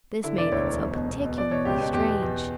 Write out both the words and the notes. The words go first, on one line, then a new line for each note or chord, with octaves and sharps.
This made it so particularly strange!
D3 E4
E1 D5
D2 C#5
E1 C#5
B1
B2
B2
B2
B2 D5
B2 C#5
C#2 G4
B2
E2 G4
B2
E2